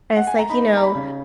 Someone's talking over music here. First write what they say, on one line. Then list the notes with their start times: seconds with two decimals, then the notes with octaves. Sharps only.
and it's, like you know,
0.16 F#5
0.27 G#5
0.39 A#5
0.49 D#4 B5
0.73 D#4 A#5
0.83 B5
0.95 C#3